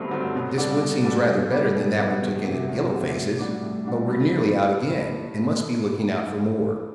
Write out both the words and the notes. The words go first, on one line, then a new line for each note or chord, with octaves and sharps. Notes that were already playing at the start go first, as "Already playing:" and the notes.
This wood seems rather better than that we took in at Yellow-Face's, but we're nearly out again, and must be looking out for more.
Already playing: G1 G2 F#3 A3 C4
G2 F#3 A3 C4
B2
G3 D4 F#4 A4
B2
G3 D4 F#4 A4
B2
G3 B3 F#4 B4
B2
G3 B3 F#4 B4
E2
C3 F#3
E2
C3 F#3
A2
G3 D4 F#4
A2
G3 D4 F#4
G2